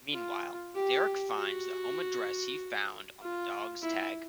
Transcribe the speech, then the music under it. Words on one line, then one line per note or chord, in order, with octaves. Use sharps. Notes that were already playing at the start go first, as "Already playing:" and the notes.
Meanwhile, Derek finds the home address he found on the dog's tag.
F4
G4
F#4
F4
E4